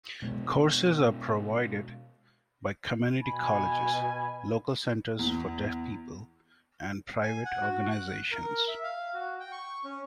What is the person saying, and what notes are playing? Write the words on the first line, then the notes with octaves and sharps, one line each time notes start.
Courses are provided by community colleges, local centres for deaf people and private organisations.
B2 G#3
B2 G#5 B5
E2
G#5
F#5
F#4
F#6
A#4
E5
F5
F#4
G5
C#6
C#4